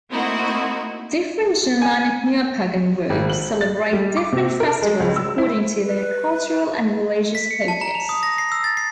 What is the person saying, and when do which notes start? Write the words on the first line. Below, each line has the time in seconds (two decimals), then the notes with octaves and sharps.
Different Germanic Neopagan groups celebrate different festivals according to their cultural and religious focus.
0.10 A3 A#3 C4 D#4 E4 F#4
1.82 G#5
3.10 G#1
3.30 F#7
3.61 A6
3.93 G3
4.17 D6
4.32 C3
4.60 A#4
4.82 G#3
5.00 C#2
5.16 E6
5.38 E4
5.84 B4
7.35 B6
7.51 C#7
7.68 A5
7.81 A#5
7.95 F7
8.09 D#6
8.23 A#6
8.38 C7
8.52 E6
8.64 A6
8.77 C7